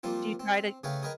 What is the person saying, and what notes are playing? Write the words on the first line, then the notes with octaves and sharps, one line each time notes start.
Do you try to
F3 G3 A#3 C4 F4
C4
C#3 A3 G#4 B4 F5 G5
G#4 A#4 B4 D#5 G5 A#5